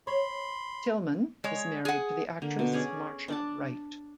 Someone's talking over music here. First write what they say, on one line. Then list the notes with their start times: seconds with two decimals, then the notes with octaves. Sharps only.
Tillman is married to the actress, Marcia Wright.
0.07 C#5 B5 C6
1.44 G#3 C#5
1.85 G#4 F#5
2.42 D3 A#3
2.59 B2
2.73 C#4 G#4 D5
3.28 D4 D5 A5